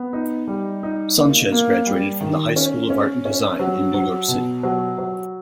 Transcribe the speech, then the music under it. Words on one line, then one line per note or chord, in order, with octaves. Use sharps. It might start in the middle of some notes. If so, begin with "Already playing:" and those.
Sanchez graduated from the High School of Art and Design in New York City.
Already playing: B3
D#4
G3
D#4
A#3
A#3
G3
D#3
C#4
C#4
C#4
F#3
F#3
B2
F#3
F#3